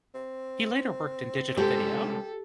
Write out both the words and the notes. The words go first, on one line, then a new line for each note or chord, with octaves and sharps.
He later worked in digital video.
C4
C2 G#3 G4 A4